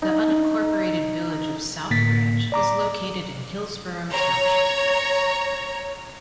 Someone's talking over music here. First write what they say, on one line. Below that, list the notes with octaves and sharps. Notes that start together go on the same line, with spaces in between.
The unincorporated village of South Branch is located in Hillsborough Township.
D#4
A2 D3 A#3 A6 B6
D5 A#5 D6
C#5 A#5